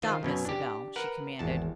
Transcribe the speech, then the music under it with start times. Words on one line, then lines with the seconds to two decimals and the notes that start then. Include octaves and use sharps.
"Stop, Miss Savell," she commanded.
0.03 D#3 F4 C5
0.23 F#2 B2 C#4
0.45 D4 G4
0.96 A#4 B4 F#5
1.39 G#1 E2 A5